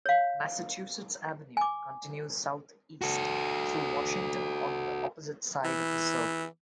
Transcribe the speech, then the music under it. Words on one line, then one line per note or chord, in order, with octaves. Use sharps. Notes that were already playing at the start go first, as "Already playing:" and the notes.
Massachusetts Avenue continues southeast through Washington on the opposite side of the circle.
C#5 F5
G#5 D6
F#4 A4
E3